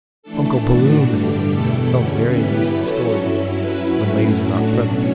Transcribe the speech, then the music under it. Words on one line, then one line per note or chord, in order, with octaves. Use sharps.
Uncle Balloon!--Tells very amusing stories . . . when ladies are not present . . .
E3 A3 D4 A4
A2 E3 A3 D4 F#4
G2 D3 G3 D4 G4
E2 B2 A3 E4 A4
E2 D3 G3 C#4
E3 B3 E4 G4 B4
F#3 C#4 F#4 A4
G2 F#3 C#4 E4
F#3 C#4 E4 B4
A2 F#3 A3 C#4 E4
A2 F#3 A3 D4 F#4
B2 F#3 C#4